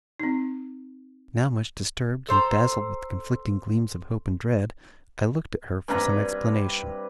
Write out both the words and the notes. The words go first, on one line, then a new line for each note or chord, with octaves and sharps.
Now much disturbed, and dazzled with conflicting gleams of hope and dread, I looked at her for some explanation.
C4 D#4
A4 C5 A#5
G2 C3 B4 A#5